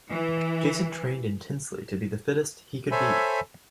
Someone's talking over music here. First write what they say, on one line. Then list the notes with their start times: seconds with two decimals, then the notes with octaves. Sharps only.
Jason trained intensely to be the fittest he could be.
0.10 E3
2.91 A4 C5 C#5 E5 G#5 B5